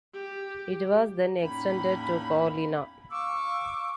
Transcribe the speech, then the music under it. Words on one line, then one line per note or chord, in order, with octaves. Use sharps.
It was then extended to Paulina.
G4
E2 A2 A#3 C#4 D#4 B5
F5 C#6 D6 E6